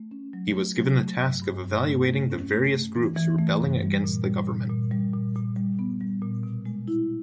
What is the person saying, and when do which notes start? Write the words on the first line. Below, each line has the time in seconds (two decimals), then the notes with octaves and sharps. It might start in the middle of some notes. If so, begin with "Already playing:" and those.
He was given the task of evaluating the various groups rebelling against the government.
Already playing: A3
0.11 C#4
0.33 F#3
0.55 A3
0.77 F#3
0.99 A3
1.21 G2
1.42 G2
1.64 G2
1.85 A3
2.08 A3
2.30 C#4
2.52 A3
2.73 A3
2.95 E3
3.16 E3
3.39 A3
3.60 G2
3.82 G3
4.04 A#2
4.25 G3
4.47 A#2
4.70 A#2
4.91 G3
5.13 A#2
5.35 A#2
5.56 G3
5.79 B3
6.01 G3
6.22 A#2
6.43 B2
6.66 G#3
6.88 E4